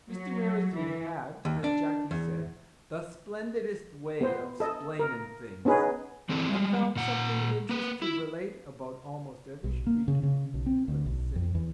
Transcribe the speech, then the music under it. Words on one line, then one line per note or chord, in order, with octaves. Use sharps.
Mr. Merrithew had, as Jackie said, "the splendidest way of splaining things," and found something of interest to relate about almost every street of the little city.
F#3
E3
D#2
D4
E2
B3 C5
A4 D#5
A#4
B3 C#4 D#4 G#4 B4
E3 C4 E4 A4 D5
G3 G#3
A#2 F#5 A#5
A#3 B4
E4
B1
A#3
C#3
C#3
B1
C4
D2
B1
F2
E2